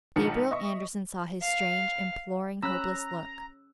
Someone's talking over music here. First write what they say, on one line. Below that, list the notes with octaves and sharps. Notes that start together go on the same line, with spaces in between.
Gabriel Andersen saw his strange, imploring, hopeless look.
B1 G#2 D#3 F3 A5 C#7
D#5 E5 C#6
F5
C#4 A#5 B5 E6 F#6